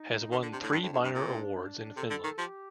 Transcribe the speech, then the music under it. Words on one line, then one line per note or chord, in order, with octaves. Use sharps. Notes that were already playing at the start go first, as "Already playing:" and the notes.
Has won three minor awards in Finland.
Already playing: D#4
D#3 D4
D3
C3
A2
G2
F2
F2
G2
A#2 D4
C4
D4
C3 A4
D3
D#3
F3 G4